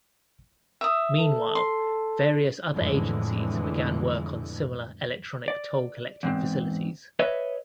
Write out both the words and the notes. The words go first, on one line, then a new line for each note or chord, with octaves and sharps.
Meanwhile, various other agencies began work on similar electronic toll collecting facilities.
E5 D#6
A4
C6
F2 A2 D3 E3 G#3
D5
E2 G#2 C4
B4 C#5 D#5 E5